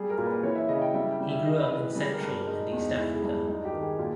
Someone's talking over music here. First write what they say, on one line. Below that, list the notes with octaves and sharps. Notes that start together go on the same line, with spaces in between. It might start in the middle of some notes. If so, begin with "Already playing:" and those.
He grew up in Central and East Africa.
Already playing: G3 G#4
A#4
A#2
B4
E3 C#5
E5
C#3 D#5
G5
G3 E5
G5
G3
E5
C#3 D#5
B4
E3
G3 G#4
A#4
G2
A#4
G#3 D#4
E2
D#4
G#3 E4
G#4
G2
G2 D#4
G4
D#3
G#4
A#2